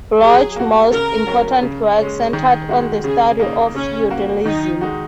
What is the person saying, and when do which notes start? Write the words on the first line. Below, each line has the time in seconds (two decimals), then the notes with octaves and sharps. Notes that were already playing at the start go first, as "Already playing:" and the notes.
Bloch's most important work centered on the study of feudalism.
0.21 F#3 G#4
0.56 A#3 F#4
0.91 C#3 A#4
1.27 F#3 C#4
1.62 C#3
1.97 G#3 C#4
2.33 D#3 G#4
2.69 G#3 F#4
3.04 C#3 G#4
3.40 A#3 D#4
3.75 C#3 C#4
4.10 A#3 F#4
4.45 D#3 D#4
4.81 G#3 D#4 F#4